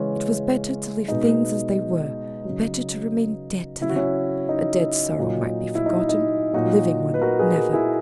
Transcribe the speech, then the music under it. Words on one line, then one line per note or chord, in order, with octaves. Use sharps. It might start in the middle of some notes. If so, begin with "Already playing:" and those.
It was better to leave things as they were--better to remain dead to them--a dead sorrow might be forgotten--living one never!
Already playing: C#3 E3 G#3 C#4
B2 G#3 D#4
C#3 F#3
C#3 F#3 E4
F#4
C#4 E4
D#4
A#2 F#3
E4
D#4
D#4
A#2 F#3 D#4 F#4
B4
F#4 A#4
G#4 B4
F#4 A#4
E4 G#4